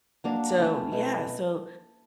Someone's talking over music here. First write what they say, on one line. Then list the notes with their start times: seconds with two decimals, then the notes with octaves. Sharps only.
And so, yeah. So,
0.24 F#3 A#3 D4
0.58 A3 C#4 E4 A4
0.92 B2 F#3 A3